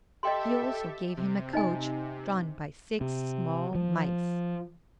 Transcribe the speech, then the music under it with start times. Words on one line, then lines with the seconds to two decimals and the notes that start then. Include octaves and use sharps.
He also gave him a coach, drawn by six small mice.
0.23 G4 A4 D#5 E5 G5 C6
1.17 C3
1.53 D#4 D#5 G#5
3.01 C3
3.75 F3